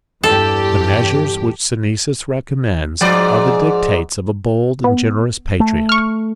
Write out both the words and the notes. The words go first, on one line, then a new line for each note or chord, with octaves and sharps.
The measures which Synesius recommends, are the dictates of a bold and generous patriot.
E2 G2 G4 A4
G#2 F3 D5
B3
A3
C#6 F6